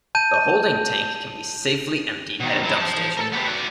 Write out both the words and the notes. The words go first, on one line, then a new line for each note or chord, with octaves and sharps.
The holding tank can be safely emptied at a dump station.
A5 G6 D#7
B2 D#3
F#3 E4
C5 A5
A4 A#4
B3 G4
F#4 D5